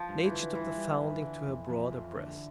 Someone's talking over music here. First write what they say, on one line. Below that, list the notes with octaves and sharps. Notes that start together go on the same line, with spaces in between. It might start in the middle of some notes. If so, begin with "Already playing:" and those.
Nature took the foundling to her broader breast.
Already playing: F3
G2
E3
D3
G2 E3
G3
G2
D3
F2
F3
F2
D3